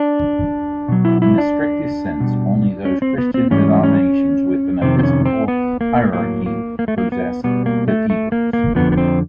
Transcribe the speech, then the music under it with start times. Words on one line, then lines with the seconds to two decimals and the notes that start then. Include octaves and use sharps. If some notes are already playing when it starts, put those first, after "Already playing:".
In the strictest sense, only those Christian denominations with an episcopal hierarchy possess cathedrals.
Already playing: D4
0.88 B2 F#3
1.05 E4
1.22 E4
1.38 D4
2.20 B2 G3
2.85 C#4
3.02 C4
3.18 B3
3.34 C4
3.51 G#2 E3 G3 C#4
3.83 C#4
4.82 F2 C3 D#3 C4
4.99 C4
5.03 C#4
5.26 C4
5.48 B3
5.81 A#3
6.13 A2 F#3 A#3
6.46 A#3
6.79 A#3
6.88 A3
6.98 A#3
7.12 B3
7.44 B2 G3 B3
7.66 A#3
7.88 A3
8.10 A3
8.32 A#3
8.53 A#3
8.75 F2 D3 F3 B3
8.92 B3
8.97 C4